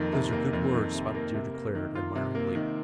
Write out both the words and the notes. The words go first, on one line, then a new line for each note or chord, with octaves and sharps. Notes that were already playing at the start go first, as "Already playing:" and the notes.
"Those are good words," Spotted Deer declared, admiringly.
Already playing: F2 C3 D#3 A#3
C3
A#3
F2
D#3
C3
A#3
C3
A#3
D#3
F4
C3
A#3
D#3